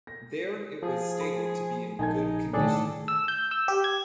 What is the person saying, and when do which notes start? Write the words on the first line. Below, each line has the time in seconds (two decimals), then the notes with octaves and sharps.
There it was stated to be "in good condition".
0.07 A#6
0.83 F3 G#4
1.21 B5
1.99 A#1 D#4 G#5 A5 G#6
2.53 A2 D#3 D4 G#4 A4 D5
3.08 E6
3.28 G6
3.51 E6
3.68 G4
3.84 G#6